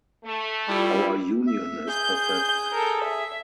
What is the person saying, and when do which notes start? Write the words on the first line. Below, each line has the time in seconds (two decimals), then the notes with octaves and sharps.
Our union is perfect.
0.24 A3
0.68 G3 E4 F4
1.47 E5
1.88 G#4 G6
2.72 A4 A#4
3.04 E5